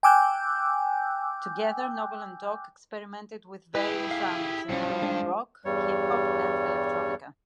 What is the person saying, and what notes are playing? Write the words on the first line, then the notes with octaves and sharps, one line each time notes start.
Together, Nobel and Doc experimented with various genres including rock, hip-hop, and electronica.
G5 G#5 D6 E6 F#6 G6
E4 G4 G#4 B4
F5
B1 G2 F3 C#4
G#3 D4
E2 G2 G3 C#5